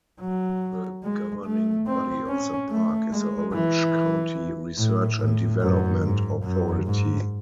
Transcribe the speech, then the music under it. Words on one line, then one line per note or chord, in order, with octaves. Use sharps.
The governing body of the Park is the Orange County Research and Development Authority.
F#3
G#3
A3
C4
C#4
A3
G#3
E3
A2
A2
F#2
G#2
F#2
G#2